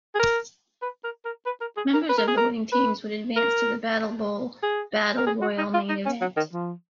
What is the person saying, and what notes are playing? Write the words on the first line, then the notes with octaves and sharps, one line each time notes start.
Members of the winning teams would advance to the BattleBowl battle royal main event.
G#4
A#4
B4
A#4
A#4
B4
A#4
G#4
A#4
B4
A#4
G#4
A#4
B4
A#4
G#4
A#4
G#4
F#4
D#4
F4
D#4
C#4
F#3
D#3
F3